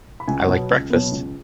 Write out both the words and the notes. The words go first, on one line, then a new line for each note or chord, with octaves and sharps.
I like breakfast.
B5
C#2 G#5
F#5
B2 F#3 B3
C#2
B2 F#3 B3
C#2